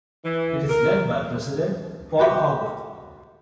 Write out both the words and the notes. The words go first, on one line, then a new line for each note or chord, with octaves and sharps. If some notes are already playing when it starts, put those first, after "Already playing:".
It is led by President Paul Hogle.
E3
A#4
F#4 G4